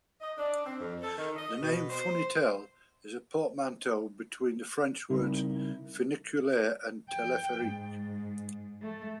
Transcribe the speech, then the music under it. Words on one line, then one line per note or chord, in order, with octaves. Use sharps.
The name "funitel" is a portmanteau between the French words "funiculaire" and "telepherique".
D#5
D4
C4
F2
A4
D#3
D#5
B2
C5
C#3 G3 C4 D#4 E4 A#4
G5
G#2
A3